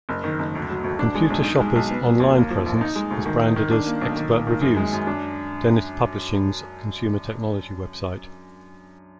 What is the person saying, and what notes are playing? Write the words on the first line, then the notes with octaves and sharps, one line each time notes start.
"Computer Shopper"'s online presence is branded as Expert Reviews, Dennis Publishing's consumer technology website.
F#1
D#3
F#1
D2
F#3
D2
D4
G#3
B1
D#4
G#3
B1
B3
F#3
D#2
A#3
F3
A#1
D#4
G#3
D2
D#3
D#4
D#3
D4
A#3
B1
D#3
A#3
D#3
F#2
G#3
F#2
D4